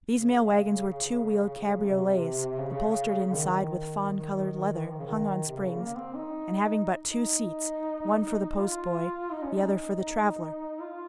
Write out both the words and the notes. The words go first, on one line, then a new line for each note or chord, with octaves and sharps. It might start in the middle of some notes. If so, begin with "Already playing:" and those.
These mail-wagons were two-wheeled cabriolets, upholstered inside with fawn-colored leather, hung on springs, and having but two seats, one for the postboy, the other for the traveller.
C#3
C3
C#3
D#3
F3
D#3
C#3
D#3
C3
C#3
A#3
C4
D#4
D#4
F4
D#4
C#4
D#4
F4